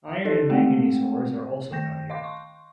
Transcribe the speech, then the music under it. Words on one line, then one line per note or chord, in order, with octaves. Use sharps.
Iron and manganese ores are also found here.
D#4 G4 A4 D#5
G#3 A3 C4 G4 F#5 G5
D#3 G5 G6 A#6
D#5 F5 C6 D6
C6 C#6